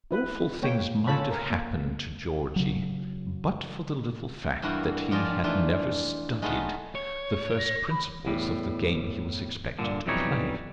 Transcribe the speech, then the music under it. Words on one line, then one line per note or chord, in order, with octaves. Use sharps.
Awful things might have happened to Georgie but for the little fact that he had never studied the first principles of the game he was expected to play.
E4 B4
A#3 C#5 G5
C#4 F4 A4 C#5 A5 B5
A#4
A#3
C#3 F#3
G2 E3 A#3 E4 F#4 A#4
F2 G3 F4 D5 D#5 G#5
E3 A3 D4 D#4 F4
G#3 A3 B3 D#4 F4 F#4
C#5
A#6
B5
E2 A2 G3
G2 A#2 D3
B1 F2 E3 G3 D#4 C#5